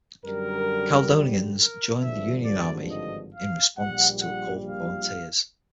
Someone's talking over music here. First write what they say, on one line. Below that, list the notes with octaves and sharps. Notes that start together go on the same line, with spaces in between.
Caledonians joined the Union Army in response to a call for volunteers.
F#2 D3 G3 A#4
A#4
G#1 G2 D3 F3 E5
D5
D#5
F5
A#1 A#2 G3 F#5
F#5
F5